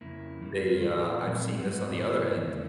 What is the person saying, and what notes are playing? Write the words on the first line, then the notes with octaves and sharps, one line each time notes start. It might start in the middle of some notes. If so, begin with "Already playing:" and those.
they, uh, I've seen this on the other end,
F2 C#3 A#3 E4
F#2 D#3 G3 A#3
A2 E3 F3 A3 F4
A#2 F#3 A3 C4
G#2 F3 F#3 A3 C4 F#4
G#2 D#3 E3 F#3 A#3 E4
E2 C#3 G#3